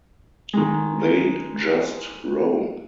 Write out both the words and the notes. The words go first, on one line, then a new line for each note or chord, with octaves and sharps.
They just roam.
D#3 G#3